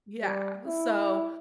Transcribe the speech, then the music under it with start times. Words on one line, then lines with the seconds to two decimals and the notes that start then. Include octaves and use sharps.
Yeah, so,
0.21 G3
0.67 E4